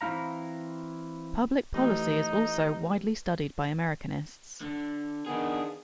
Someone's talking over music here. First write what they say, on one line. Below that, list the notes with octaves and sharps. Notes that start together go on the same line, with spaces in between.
Public policy is also widely studied by Americanists.
E3 C4 E4 F5 A#5
A1 D#4
D3
D#3 B3 D4 G#4